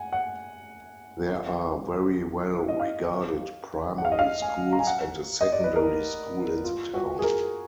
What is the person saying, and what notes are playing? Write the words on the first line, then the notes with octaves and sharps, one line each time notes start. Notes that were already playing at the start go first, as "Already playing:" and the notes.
There are very well regarded primary schools and a secondary school in the town.
Already playing: F#5 G#5
F#5
D#5
F5
F#5
F5
D#5
F5
G#5
A#5
G#5
F#5
D#5
D5
B4
A#4
F4
F#4
G#4
A#4